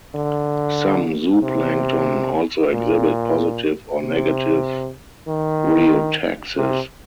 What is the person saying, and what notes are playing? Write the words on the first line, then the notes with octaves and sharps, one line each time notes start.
Some zooplankton also exhibit positive or negative rheotaxis.
D3
C3
A#2
C3
D#3
C3